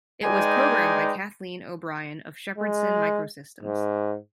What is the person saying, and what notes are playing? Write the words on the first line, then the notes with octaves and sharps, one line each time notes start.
It was programmed by Kathleen O'Brien of Shepardson Microsystems.
G#3 D#4 B4 D5 G5 G#5
G#3
G#2